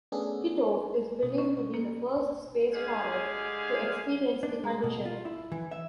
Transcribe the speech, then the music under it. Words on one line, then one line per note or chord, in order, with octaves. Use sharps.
Titov is believed to be the first spacefarer to experience the condition.
A3 B3 C#4 D4 G#4 A4
B2
C#4
A#3
D3 G#3 G4 G#4 F5 G#5
D4
G#3
B2
F4
E4
E3
E5